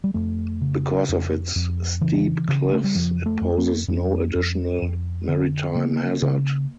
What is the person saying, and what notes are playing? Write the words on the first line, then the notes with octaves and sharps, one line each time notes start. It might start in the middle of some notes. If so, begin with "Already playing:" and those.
Because of its steep cliffs, it poses no additional maritime hazard.
G3
F2 A3
C#3
F2
F2
C#3 E3
C#3
A3
G3
F2 F3
A3
F2
A#3
F2 C#4
F2
F2
D3
C#3 A#3
C#3